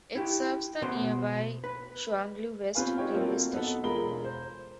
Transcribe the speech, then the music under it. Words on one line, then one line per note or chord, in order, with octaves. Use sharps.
It serves the nearby Shuangliu West railway station.
E4 G4
B2 B3 C5 C6
B4
C4 C#4 F4 B4 F5 G#5
D#4 F4 G4 C#5 G5
F#3 A#3 C4 F4 A4
B3 D#4 A4
E1 F4 G#4 A#4 B5 G7
C5